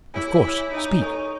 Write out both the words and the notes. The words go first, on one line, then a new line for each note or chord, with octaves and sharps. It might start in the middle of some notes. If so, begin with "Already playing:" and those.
"Of course, speak."
E4 G#4 C#5 G#5
E4 G#4 C#5 G#5
D#4 G#4 C#5 G#5
A4 C#5 G#5 C#6